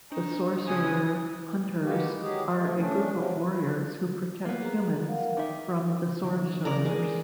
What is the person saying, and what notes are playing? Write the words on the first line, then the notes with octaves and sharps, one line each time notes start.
The Sorcerer Hunters are a group of warriors who protect humans from the Sorcerers.
D4 D#4
C#3 F3 C#4 G#5 D#6
G#3 A#3 B3 F#4 G4
F#3 G#3 G4 G#4
F3 A3
A3 C#4 D4
C3 F3 F#3
B4
A#3 B3
G#4 A#5
A#4 F5 F#5
D#3 D#4 E5 G5 D6
F4
D3 E3 A#3
A#4 D5 A#5
G#3